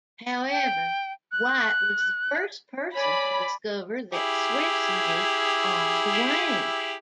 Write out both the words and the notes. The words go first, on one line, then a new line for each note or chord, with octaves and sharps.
However, White was the first person to discover that swifts mate on the wing.
G5
F#6
C#5 D5 G#5 B5
E4 G4 G#4